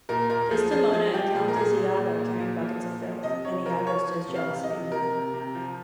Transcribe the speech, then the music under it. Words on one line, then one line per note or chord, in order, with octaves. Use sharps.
Desdemona encounters Iago carrying buckets of filth, and Iago stirs jealousy in her.
A#2 A#4
A#2 A#4
F3 G#4
F3 G#4
F3 G#4
F3 G4
A#2 G#4
A#4
A#2 G#4
A#2
A#2
A#2
A#2
F3
A#2
F3
C3 D#5
C3 C#5
F3 A#4
F3 C#5
F3
C3
F5
C3
D#5
C3
C3 A#4
C3
C3
F3